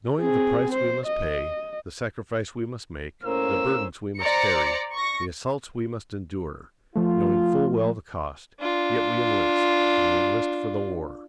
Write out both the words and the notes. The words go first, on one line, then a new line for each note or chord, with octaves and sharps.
Knowing the price we must pay, the sacrifice we must make, the burdens we must carry, the assaults we must endure--knowing full well the cost--yet we enlist, and we enlist for the war.
C4 G#4
C5
D#5
A2 A#3 C#4 A#4 C5 E6
C5 D5 A#5 C#7
C#6 A#6
F3 A3 F4
D4 F4